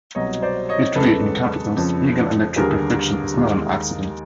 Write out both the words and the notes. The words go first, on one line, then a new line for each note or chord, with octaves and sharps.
It read, in capitals, "Eagle Electric-Perfection is not an accident".
C2 B2 F#3 C#5 D#5
C5 D5
C#5 D#5
F#1 E2 C#3 E3 G#3 A4 B4
F2 C#3 F3
D#2 D3 G3 G#4 A#4
D#2 D#3 G#3